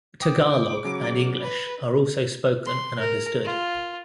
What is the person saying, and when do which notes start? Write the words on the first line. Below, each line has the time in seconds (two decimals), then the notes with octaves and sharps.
Tagalog and English are also spoken and understood.
0.22 G5 D6 D#6
0.84 C#3 F#3
1.43 B4
2.66 C6
2.99 A#4
3.45 F4